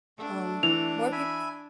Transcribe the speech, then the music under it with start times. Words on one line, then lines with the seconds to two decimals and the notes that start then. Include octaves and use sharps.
um, more peop
0.18 A3 D4
0.63 E3 F7
1.12 E5 G#5 B5